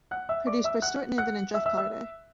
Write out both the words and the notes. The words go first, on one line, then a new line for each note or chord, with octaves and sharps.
Produced by Stuart Niven and Jef Carter.
F#5 F#6
E5 E6
D5 D6
E5 E6
F#5 F#6
F#5 F#6
E5 E6
E5 E6
E5 E6